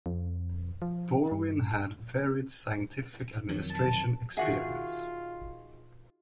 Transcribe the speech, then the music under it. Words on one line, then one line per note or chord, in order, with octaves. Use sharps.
Borwein had varied scientific administration experience.
F2
F3
G2
F2 D#3 F#3
A5
D#3 F4 F#4 G#4 A#4 E5 F#5